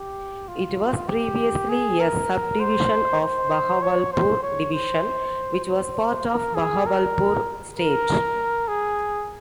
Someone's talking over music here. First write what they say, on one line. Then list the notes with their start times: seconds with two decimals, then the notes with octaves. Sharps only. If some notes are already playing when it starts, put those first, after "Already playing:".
It was previously a sub-division of Bahawalpur Division, which was part of Bahawalpur State.
Already playing: G4
0.48 F4
1.08 G4
1.69 G#4
2.00 A#4
2.60 C5
3.21 C5
3.82 C#5
4.12 C5
4.43 C#5
4.73 C5
5.64 C5
6.25 A#4
6.55 G#4
6.86 A#4
7.77 A#4
8.68 G#4